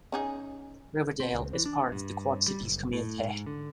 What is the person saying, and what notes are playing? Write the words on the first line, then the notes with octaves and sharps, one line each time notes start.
Riverdale is part of the Quad-Cities community.
C#4 D#4 G#4
C4
C#2
E3
D4
G2
G3
F#1
A2
G#2
D3